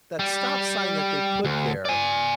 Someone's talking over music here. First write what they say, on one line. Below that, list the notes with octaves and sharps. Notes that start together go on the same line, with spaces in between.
that stop sign that they put there
G3
D2
D5 G#5